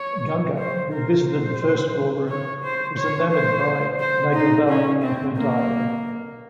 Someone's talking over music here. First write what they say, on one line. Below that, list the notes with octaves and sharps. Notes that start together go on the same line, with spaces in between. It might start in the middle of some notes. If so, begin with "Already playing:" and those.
Ganga who visited the first floor room was enamoured by Nagavalli and her diary.
Already playing: C#5
C5
A#4
C5
C#5
C5
C#5
C5
C5
D#4
C#4
C4
A#3